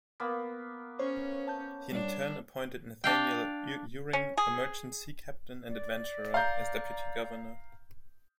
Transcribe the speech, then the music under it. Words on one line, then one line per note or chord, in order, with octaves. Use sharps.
He in turn appointed Nathaniel Uring, a merchant sea captain and adventurer, as deputy-governor.
A#3 B3 B5
C#4 C5 C#5
A5 G6
G3 D4 D5
D4 F5 G5
C#4
G#4
D5
F5 A#5 G6